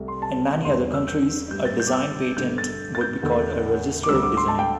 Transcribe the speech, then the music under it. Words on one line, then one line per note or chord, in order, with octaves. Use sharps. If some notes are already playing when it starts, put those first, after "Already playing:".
In many other countries, a Design Patent would be called a "registered design".
Already playing: C2 C3 A3
C6
A5
E2 D3 G3 C6
E6
G6
G2 G3 G6
A6
G6
D6
E6
G2 D3 A3 G6
A6
A6
G6
E2 D3 A3
D6
D2 D3 G3 E6
D6
C6
A5
G5